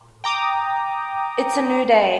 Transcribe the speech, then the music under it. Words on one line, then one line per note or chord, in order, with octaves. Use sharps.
It's a new day.
G5 A#5 D6 D#6